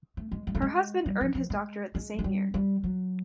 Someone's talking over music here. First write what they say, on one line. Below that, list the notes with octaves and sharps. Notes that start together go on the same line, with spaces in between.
Her husband earned his doctorate the same year.
A3
G#3
G#3
A3
G#3
G3
F3
F3
G#3
G#3
G#3
G3
G3
F#3